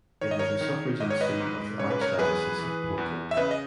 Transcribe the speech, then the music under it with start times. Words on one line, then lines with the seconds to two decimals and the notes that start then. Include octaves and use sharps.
It is a suffragan see of the Archdiocese of Portland.
0.21 D#3 C#5
0.31 D#5
0.39 A#4 C#5
0.61 D#3
1.00 G#2 D#5
1.10 C#5
1.21 B4 D#5
1.40 G#2
1.79 C#3 C#5
1.90 B4
2.01 A#4 C#5
2.19 E2 G#4 B4
2.58 E3
2.98 E2
3.31 E5
3.37 C#3 B4 D#5
3.51 D#5